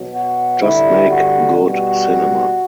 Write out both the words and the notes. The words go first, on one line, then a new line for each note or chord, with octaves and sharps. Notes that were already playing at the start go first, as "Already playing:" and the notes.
Just make good cinema.
Already playing: B2 F#3
F#4
G2 D3 G3 E4
F#4
B2 G3 F#4